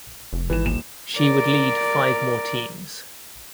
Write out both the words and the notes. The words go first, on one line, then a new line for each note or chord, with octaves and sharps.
She would lead five more teams.
F1
G#1 E3 E7
D#1 E7
A#4 D5